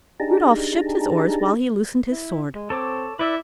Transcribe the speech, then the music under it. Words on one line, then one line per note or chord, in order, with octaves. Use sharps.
Rudolf shipped his oars while he loosened his sword.
D4 D#4 G4 G#4 A5 A#5
E4
G#3
C4 A4 C#5 D6
E4 B4 D5 E6